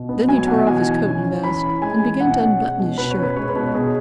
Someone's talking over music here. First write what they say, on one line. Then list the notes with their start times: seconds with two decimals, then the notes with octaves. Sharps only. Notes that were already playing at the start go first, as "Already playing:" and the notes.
Then he tore off his coat and vest, and began to unbutton his shirt.
Already playing: B2
0.09 B3
0.28 F#3 G#5
0.47 B2 F#5
0.67 E3 G#5
0.86 E3
1.05 C#4
1.25 C#4
1.43 E3 B5
1.62 C#4
1.82 G#3 G#5
2.01 E3
2.20 B2 F#5
2.40 C#4
2.59 G#3
2.79 B2
2.98 B2 B4
3.11 C#5
3.17 C#4
3.23 B4
3.36 G#3 C#5
3.49 B4
3.56 B2
3.75 B2 G#4